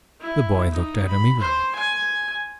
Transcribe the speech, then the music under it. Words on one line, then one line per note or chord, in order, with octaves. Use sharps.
The boy looked at him eagerly.
E4
D#4
B5
C5
G#5